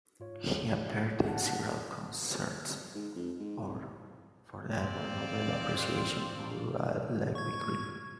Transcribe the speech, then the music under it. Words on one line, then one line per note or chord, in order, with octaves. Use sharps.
He appeared in several concerts for The Ivor Novello Appreciation Bureau at Littlewick Green.
G#2 F4 C#5
F#5 A5
G#2
F2
G#2
C2
C4 D5 F5
C#6 G#6